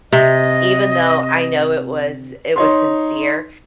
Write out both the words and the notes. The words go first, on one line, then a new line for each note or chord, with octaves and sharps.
even though I know it was it was sincere.
C3 D#5
D#4 C#5 C6